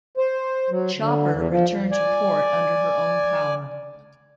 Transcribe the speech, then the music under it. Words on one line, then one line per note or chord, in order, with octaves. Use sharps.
"Chopper" returned to port under her own power.
C5
F#3
D3
E2
F3
D5 G#5